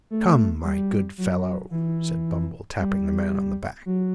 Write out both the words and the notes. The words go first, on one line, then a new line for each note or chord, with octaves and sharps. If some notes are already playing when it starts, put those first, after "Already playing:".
'Come, my good fellow!' said Bumble, tapping the man on the back.
A3
G3
F#3
E3
G3
F#3